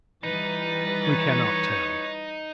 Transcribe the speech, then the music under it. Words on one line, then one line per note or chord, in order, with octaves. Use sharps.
We cannot tell.
E3 G3 D#4 B4 A6
C#5